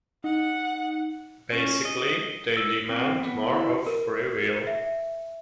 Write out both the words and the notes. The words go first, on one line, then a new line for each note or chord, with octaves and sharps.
Basically, they demand more of "free will".
D#4 F#5
C#4
D#5
E6
C4
B3
E4
A#4
E5